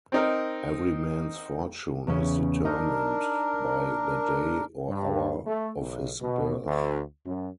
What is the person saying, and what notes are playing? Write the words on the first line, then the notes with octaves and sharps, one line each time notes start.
Every man's fortune is determined by the day or hour of his birth.
C4 D#4 A#4
E2 C#3 C#4
D4 D#4 A#4
G2
A3
B1
B2
D2
F#2